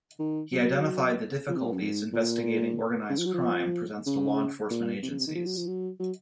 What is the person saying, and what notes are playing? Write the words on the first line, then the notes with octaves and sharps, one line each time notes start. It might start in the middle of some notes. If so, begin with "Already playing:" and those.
He identified the difficulties investigating organised crime presents to law enforcement agencies.
D#3
F#3
F3
C3
A#2
F#2
G#2
A#2
C#3
F3
F#3
F3
C#3
A#2
C3
C#3
C3
D#3
F3
F#3
F3
F#3
F#3